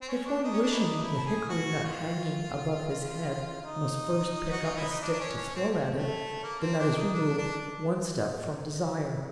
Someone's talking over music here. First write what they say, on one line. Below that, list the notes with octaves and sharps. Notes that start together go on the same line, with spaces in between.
If one wishing the hickory-nut hanging above his head must first pick up a stick to throw at it, the nut is removed one step from desire.
C4
C#4
D4
D#4
C#4
D4
E4
D#4
E4
A4
G#4
F#4
F4
D#4
F#4
F4
E4
D#4
D4
D4
C#4
C#4
C4
A3
A3
A#3
C4
D4
D#4
D4
D4